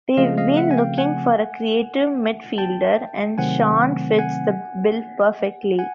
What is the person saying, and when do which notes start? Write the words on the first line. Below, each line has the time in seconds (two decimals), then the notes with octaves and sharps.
We've been looking for a creative midfielder and Sean fits the bill perfectly.
0.17 C#3 F3 A3 C4 D#5 F5
0.38 D#5 F5
0.57 E5 F#5
0.71 G#5
0.77 F5 G5
0.98 F#5 G#5
2.58 G5 A5
3.38 C3 D#3 F#3 A3 C4 F#5 G#5
4.18 F#5 G#5
5.79 F#5 G#5